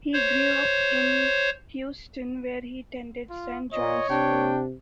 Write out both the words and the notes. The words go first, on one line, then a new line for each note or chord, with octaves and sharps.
He grew up in Houston, where he attended Saint John's School.
C5 C#5
F4
A#2 C#5 D#5
C3 D4 G5